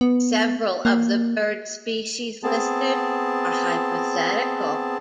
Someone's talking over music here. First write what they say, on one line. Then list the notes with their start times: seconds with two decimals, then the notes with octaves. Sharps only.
Several of the bird species listed are hypothetical.
0.01 B3
0.85 A#3
2.43 B3 C4 G#4 A5